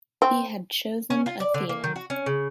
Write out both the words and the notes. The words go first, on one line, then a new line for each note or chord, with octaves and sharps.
He had chosen Athena.
C4
C#4
F4
D5
D3
A#3
D#3
F#4
C#4
C#3